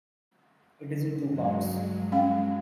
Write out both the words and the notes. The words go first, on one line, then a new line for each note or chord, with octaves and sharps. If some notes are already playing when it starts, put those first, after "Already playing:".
It is in two parts.
G2 F#3 G#3
C#4 F5 G5